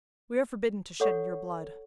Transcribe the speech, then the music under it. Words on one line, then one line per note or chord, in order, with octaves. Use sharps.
"We are forbidden to shed your blood."
A4 C#5 F#5 C#6